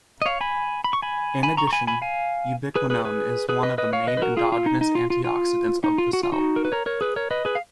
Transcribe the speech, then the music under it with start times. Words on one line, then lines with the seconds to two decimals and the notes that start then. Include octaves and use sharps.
In addition, ubiquinone is one of the main endogenous antioxidants of the cell.
0.22 D#5
0.26 C#5 F5
0.41 G#5 B5
0.84 B5
0.93 C#6
1.02 G#5 B5
1.43 G#5 B5
1.57 A#5 C#6
1.67 C#6
1.73 G#5 B5
1.87 G#5 B5
2.02 F5 G#5
2.76 G#4 B4
2.90 G#4 B4
3.05 G#4 B4
3.49 G#4 B4
3.63 B4 D#5
3.78 B4 D#5
3.93 C#5 F5
4.07 B4 D#5
4.17 B4
4.22 F#4 A#4
4.37 F4 G#4
4.52 F4
4.66 D#4
4.81 D#4
4.95 F4
5.10 F4
5.25 F4
5.84 D#4
5.98 F4
6.13 F#4
6.23 F4
6.32 D#4 F#4
6.56 A#4
6.65 B4
6.72 A#4 C#5
6.86 A#4 C#5
7.01 G#4 B4
7.16 A#4 C#5
7.31 B4 D#5
7.45 G#4 B4
7.55 F5